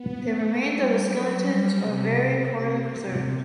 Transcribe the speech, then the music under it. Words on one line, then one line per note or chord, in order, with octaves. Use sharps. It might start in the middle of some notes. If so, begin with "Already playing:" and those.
The remains of the skeletons are very poorly preserved.
Already playing: B3
A3
G3
F#3
G3
C3
C3
C3
C3